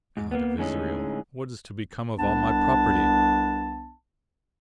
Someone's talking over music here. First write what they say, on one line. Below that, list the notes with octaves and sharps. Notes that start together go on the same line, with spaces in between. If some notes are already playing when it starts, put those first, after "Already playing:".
"God of Israel! what is to become of all my property?"
G#2
A#3 B3
A2 D3 G#3 C#4 D#4 G#4
C2 B3 D4 A5